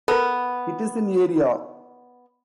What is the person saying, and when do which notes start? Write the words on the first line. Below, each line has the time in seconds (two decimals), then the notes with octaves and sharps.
It is in area.
0.08 B3 A4 A#4